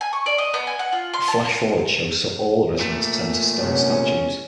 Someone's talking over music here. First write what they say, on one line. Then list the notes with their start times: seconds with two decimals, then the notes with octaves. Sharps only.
A flash-forward shows all the residents turned to stone statues.
0.01 G#5
0.13 C#6
0.26 D5
0.38 D#5
0.54 B3
0.67 G#5
0.79 F#5
0.92 F4
1.14 C6
1.28 A5
2.79 A#2 A3
3.62 C3 G#3 B3 C#4